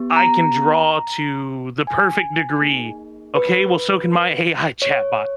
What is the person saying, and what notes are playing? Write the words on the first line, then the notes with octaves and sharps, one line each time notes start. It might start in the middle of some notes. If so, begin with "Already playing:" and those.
"I can draw to the perfect degree." "Okay, well, so can my AI chatbot."
Already playing: B3 G4
A#5
G#5
A#3 D#4 G#4
B4
C#5